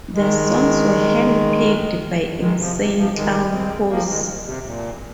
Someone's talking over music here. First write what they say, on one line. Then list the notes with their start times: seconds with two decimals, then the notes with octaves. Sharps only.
The songs were hand picked by Insane Clown Posse.
0.15 D#3 G#3
2.40 D#3 G#3
2.59 C3 F3
2.77 C3
2.96 C3 F3
3.15 D#3 G#3
3.52 G#3 C4
3.90 F3 A#3
4.08 D#3 G#3
4.46 C3
4.64 A#2